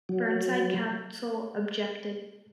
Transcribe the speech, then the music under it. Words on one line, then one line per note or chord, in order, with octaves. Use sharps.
Burnside Council objected.
F#3